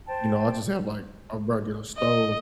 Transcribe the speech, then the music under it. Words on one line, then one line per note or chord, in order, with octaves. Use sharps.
you know, I just, have, like, a regular stove,
C5 G5 A5
D#5